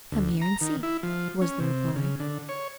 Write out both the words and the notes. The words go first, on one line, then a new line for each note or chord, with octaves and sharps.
"Come here and see," was the reply.
D2
A#5
D#3
E4
F3
C#4
C3
C#3
D3
C#5